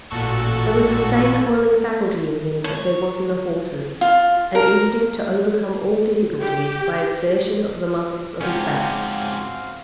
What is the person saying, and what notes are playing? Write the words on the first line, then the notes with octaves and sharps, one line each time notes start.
There was the same toiling faculty in him that there was in the horses--an instinct to overcome all difficulties by exertion of the muscles of his back.
A1 A#2 F#4 A4 C#6 E6
C#5
F4
A#4
G4
G#2 F3 C4 C#4 F#4 G4 F5